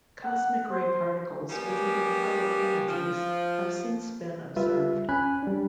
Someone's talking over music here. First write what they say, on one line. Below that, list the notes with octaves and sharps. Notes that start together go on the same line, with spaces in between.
Cosmic ray particles with even higher energies have since been observed.
F#5
C5
G3 A#3 B3 C#4 G4
F3
G3 F4 B4 E5
C#4 G#5 B5 F#6
G3 D4